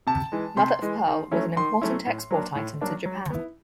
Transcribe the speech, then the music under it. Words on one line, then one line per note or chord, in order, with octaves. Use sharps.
Mother of pearl was an important export item to Japan.
C3 A5
E3 G#3
C3 C6
E3 G#3
D#3
F#3 A3 C#4 E4
D#3 C6
F#3 A3 C#4 E4
A2
F#3 A#3 D4
A2
F#3 A#3 D4
F#3
B3 E4